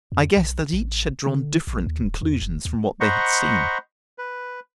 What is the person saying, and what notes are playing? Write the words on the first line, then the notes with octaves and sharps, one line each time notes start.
I guessed that each had drawn different conclusions from what they had seen.
F2
B1
A1
D3
A#1
D#2
D1
E2
F1
D#2
C5 D#5 F#5 A#5 B5 C#6
B4